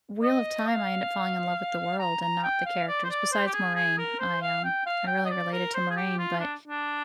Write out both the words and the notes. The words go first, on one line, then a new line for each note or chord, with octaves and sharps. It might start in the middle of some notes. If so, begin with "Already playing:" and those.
Wheel of Time, I end up falling in love with the world and not the characters, besides Moiraine. I, um I really related to Moiraine, but
D#5
F5
A#5
A#5
G5
F5
D5
C5
D5
C5
G4
G#4
G#4
A#4
C5
F5
G5
F5
G5
D#5
D5
A#4
C5
G#4
G4
F4
D4
D4